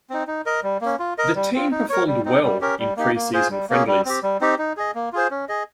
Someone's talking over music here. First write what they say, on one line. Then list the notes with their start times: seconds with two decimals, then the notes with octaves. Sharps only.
The team performed well in pre-season friendlies.
0.10 C4 D#4
0.27 D#4
0.46 A#4 D#5
0.63 G3
0.81 A#3 C#4
0.99 F4
1.18 A#4 D#5
1.35 G3
1.54 C4 F4
1.72 D#4
1.90 A#4 C#5
2.07 G3
2.25 C4 D#4
2.43 G3
2.61 C#4 G4 A#4
2.79 G3
2.97 A#3 D#4 G4
3.15 A#3
3.34 F4 G#4 C5
3.51 G3
3.70 A#3 C#4 G#4
3.87 G3
4.05 C4 G4
4.23 G3
4.41 C4 D#4 G4
4.58 D#4
4.77 G#4 D#5
4.95 A#3
5.13 F4 G#4 C5
5.31 C#4
5.49 G#4 D#5